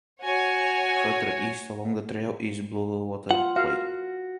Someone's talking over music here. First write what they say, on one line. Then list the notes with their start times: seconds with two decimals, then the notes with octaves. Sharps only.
Further east along the trail is Bluewater Quay.
0.23 F#4 C#5 G#5
3.31 F4 F#5
3.56 F#4 F5